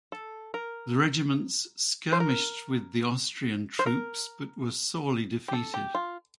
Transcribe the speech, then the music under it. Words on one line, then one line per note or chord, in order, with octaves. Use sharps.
The regiments skirmished with the Austrian troops but were sorely defeated.
A4
A#4
C5
A#4
C5
A#4
G4
A4
G4
F4